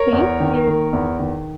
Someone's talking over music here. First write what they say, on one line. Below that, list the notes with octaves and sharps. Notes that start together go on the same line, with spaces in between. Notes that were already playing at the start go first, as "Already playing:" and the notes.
Thank you.
Already playing: A#4 C#5
E2
D#3
D#3
E2
D#3